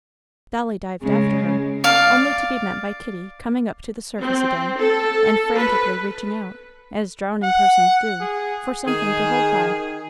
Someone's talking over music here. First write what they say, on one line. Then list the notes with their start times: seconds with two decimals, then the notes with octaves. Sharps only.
Dolly dived after her, only to be met by Kitty coming up to the surface again, and frantically reaching out, as drowning persons do, for something to hold by.
1.02 C#3 G#3
1.84 D5 F5
4.21 C4
4.78 A4
5.57 B4
7.43 F#5
8.20 G#4
8.86 D#3 G#4